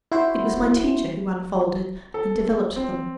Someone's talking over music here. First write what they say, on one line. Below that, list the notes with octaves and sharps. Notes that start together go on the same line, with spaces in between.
It was my teacher who unfolded and developed them.
E4 F#4 C5
A4
C4